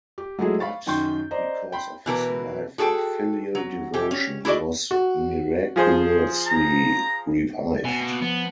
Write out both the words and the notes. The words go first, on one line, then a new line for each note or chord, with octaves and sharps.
But, because of his life of filial devotion, he was miraculously revived.
G4
F#3 G#3 A3 E4 G#4
F5 B5 C#6 A6
F#2 D#3 G5 C6 C#6 G6
C5 D5 D#5 A#5
G5 B5 C6
B2 E3 A#4 B4
F#4 G#4 A4 G5
F#3
E3 G4
C#4
E4 F#4 G#4 D5 D#5
F#4
F3 G#4 C5
A#5
B2 G#5
A#3
F3 B3